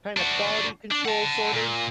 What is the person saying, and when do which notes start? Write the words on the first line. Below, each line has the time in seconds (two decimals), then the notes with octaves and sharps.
kinda quality control, sort of?
0.17 D4 F#4
0.91 D4
1.05 F#5 A5
1.53 A#2